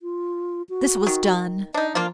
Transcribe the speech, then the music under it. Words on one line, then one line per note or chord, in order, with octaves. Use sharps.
This was done.
F4
F#4
D#3
D4 D#4 D#5
F3 A#3 D4 F4